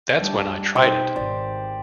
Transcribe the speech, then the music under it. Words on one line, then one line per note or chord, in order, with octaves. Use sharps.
That's when I tried it.
G3 D4
B2 D#4 G4 C5
G#1 D5